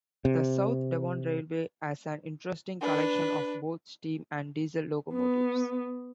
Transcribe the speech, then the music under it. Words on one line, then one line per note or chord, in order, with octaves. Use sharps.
The South Devon Railway has an interesting collection of both steam and diesel locomotives.
C3
D4 B4
B3